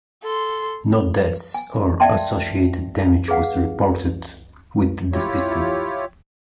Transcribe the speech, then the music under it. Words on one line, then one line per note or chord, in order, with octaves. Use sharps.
No deaths or associated damage was reported with the system.
A4 C6
G#5
D5 E5 F5 G5 A5 C6
G#4 B4 F5 F#5
E4 F4 G4 C#5